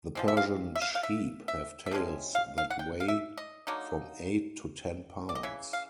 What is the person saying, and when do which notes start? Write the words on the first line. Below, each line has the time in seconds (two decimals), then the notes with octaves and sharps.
The Persian sheep have tails that weigh from eight to ten pounds.
0.15 F3 G#3 C4
0.28 E5
0.37 F5
0.75 E5
0.82 F5
0.95 F5
1.03 E5
1.48 E5
1.86 E5
1.91 C3 F3 G#3 C#4
2.35 F5
2.58 F5
2.70 F#5
2.79 G5
3.00 F5
3.08 E5
3.38 D#5
3.67 D3 F#3 A#3 D#4
5.29 D5
5.35 D#5
5.43 C#3 E3 E5
5.73 F5